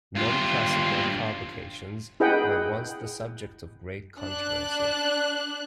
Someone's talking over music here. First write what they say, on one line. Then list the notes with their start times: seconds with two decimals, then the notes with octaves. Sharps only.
"Non-classical" carbocations were once the subject of great controversy.
0.15 G2 F4
2.20 E4 G#4 B4 D#5 F#5 G5
4.20 D4 F#6